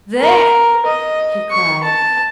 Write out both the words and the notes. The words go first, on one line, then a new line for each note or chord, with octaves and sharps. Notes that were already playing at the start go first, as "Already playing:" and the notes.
"There!" he cried.
A#4
D#5
C#6
A5